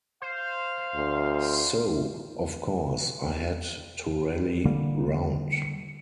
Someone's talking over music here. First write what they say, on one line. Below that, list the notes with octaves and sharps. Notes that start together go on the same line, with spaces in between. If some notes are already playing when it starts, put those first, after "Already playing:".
So, of course, I had to rally round.
C5 F5
D2
D3 G3 A#3